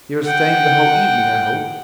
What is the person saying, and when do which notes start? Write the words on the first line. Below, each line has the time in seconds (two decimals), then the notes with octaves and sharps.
"You are staying the whole evening, I hope?"
0.24 F#5 G5